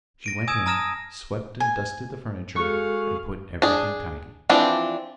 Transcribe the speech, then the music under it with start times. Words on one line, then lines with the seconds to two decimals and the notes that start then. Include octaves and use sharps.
She went in, swept and dusted the furniture, and put everything tidy.
0.24 A#6 D7 D#7
0.48 G#5 D#6 E6 G#6 E7
0.66 A5 A#5 D#6 F6 A#6 E7
1.60 G#5
2.56 G#3 F#4 G#4 A4 F5 C#6
3.62 D4 G#4
4.49 E3 F3 C4 D4